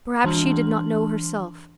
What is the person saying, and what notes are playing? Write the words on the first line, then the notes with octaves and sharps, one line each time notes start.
Perhaps she did not know herself.
E3 D4 A5 C6 F6 F#7